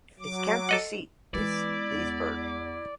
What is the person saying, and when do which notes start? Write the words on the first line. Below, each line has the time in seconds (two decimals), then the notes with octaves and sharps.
Its county seat is Leesburg.
0.19 F#3 D6
0.69 A4 D#5 F#5
1.34 E3 G#3 B3 E4 D5
1.93 E2